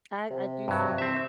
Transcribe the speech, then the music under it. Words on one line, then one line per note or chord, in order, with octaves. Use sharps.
I I do see me,
C3
G2 F#3
C4 E5